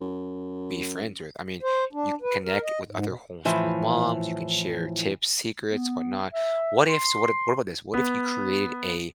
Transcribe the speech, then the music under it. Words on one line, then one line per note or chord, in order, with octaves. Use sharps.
be friends with. I mean, you can connect with other homeschooled moms, you can share tips, secrets, whatnot. What if so, what if what about this? What if you create a
F#2
C5
D4
B4
A#4
D#5
G#2
B2
A2 E3 F3
B3
E5
C6
B3